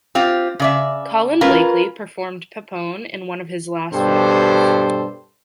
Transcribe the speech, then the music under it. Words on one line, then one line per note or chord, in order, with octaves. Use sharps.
Colin Blakely performed Peppone in one of his last film roles.
C4 F4 G4
C#3 D5 E5
C#4 F4 A#4 B4
G2 B2 G4 A4 C5